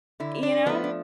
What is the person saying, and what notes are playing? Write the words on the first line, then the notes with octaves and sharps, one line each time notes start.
You know?
D3 E4
D4
F3 A3 B3
D4